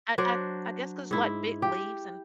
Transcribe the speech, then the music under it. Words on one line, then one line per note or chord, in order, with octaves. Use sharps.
I I I guess 'cause, like, big leaves and
F#3 D4 C5 D5
G#2 E4
G4